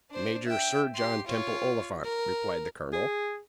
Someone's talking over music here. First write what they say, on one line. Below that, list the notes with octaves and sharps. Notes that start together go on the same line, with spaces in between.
"Major Sir John Temple Oliphant," replied the colonel.
D4 C5
E5 G5
G4 C6
F4 C#5
A#4
G#4